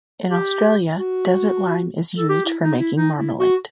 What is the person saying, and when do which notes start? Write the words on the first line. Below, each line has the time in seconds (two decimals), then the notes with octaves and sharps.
In Australia, desert lime is used for making marmalade.
0.30 G4
0.96 F#4
2.17 A4
2.29 G4
2.45 E4
2.62 D#4
2.79 E4
2.96 D#4
3.17 E4
3.39 F#4